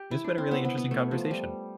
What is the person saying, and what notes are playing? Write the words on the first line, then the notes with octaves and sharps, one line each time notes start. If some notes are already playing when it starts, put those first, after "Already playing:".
It's been a really interesting conversation.
Already playing: G4
E4
D4
C4
B3
B3
B3
A3
F3
G3